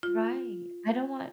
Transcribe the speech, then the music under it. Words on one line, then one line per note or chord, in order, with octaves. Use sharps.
Right. I don't want
F4